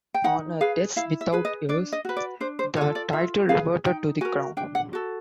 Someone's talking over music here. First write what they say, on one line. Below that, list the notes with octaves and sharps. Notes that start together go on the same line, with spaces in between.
On her death without heirs, the title reverted to the crown.
G5
D#4 F#5
G#4 B4 F5
E4 F5
E5
G#4 B4
D#5
D4 D5
D#5
F#4 B4
D5
D4 C5
C5
F4 A4 C#5
D5
F4 E5
G#4 B4 F5
D#4 G5
F#4 A#4 G#5
D4 G5
F#5
F#4 A4